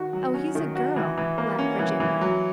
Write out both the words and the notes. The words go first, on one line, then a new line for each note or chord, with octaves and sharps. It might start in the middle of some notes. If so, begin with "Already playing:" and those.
"Oh, he's a girl!" laughed Virginia.
Already playing: D#3 F#4
F#3
C#4
D#3
F#4
E3
E3
A#3
C#4
E3
E3
F#3